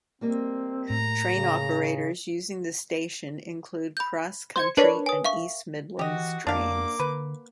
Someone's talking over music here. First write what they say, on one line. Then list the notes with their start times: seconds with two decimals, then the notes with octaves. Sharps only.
Train operators using the station include CrossCountry and East Midlands Trains.
0.21 G3 A#3 C4 D#5
0.90 A2 A#5
1.29 C#3
3.97 B5 G6
4.56 C5 G#6 C#7
4.77 D4 A#4 B4 C#5 A5
5.06 G#5 D#6
5.24 E5 F5 C#6
5.99 E3 F#4 G4 D#5
6.47 F2 A#3 D4 F5 D6
7.00 D3 B4